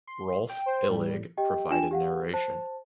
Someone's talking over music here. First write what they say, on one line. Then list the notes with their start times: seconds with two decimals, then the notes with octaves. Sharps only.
Rolf Illig provided narration.
0.07 C6
0.49 G5
0.66 C5
0.90 A2 G3
1.37 G4 D#5 G5
1.70 D4 F4 G5 G#5 E7
1.91 G4 F5 F#5
2.33 C5 A5